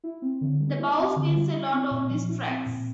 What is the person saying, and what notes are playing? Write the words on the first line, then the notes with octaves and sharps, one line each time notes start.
The bowl spins a lot on these tracks.
E4
C4
D3
G3
E4
C4
D3
G3
E4
C4
A#2
F3
E4
C4
A#2